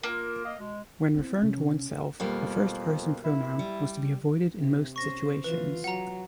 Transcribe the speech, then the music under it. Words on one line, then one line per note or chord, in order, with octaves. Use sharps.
When referring to oneself, the first-person pronoun was to be avoided in most situations.
A#3 F4 A#4
D#5 F5
B2 G#3
B3 C4 E4
C3 C#4
F2 B2 G3 A#3
E4
G3
C3
C#4 C5 C#6 A#6
E3 F4 B4
F#3 F#5 A#5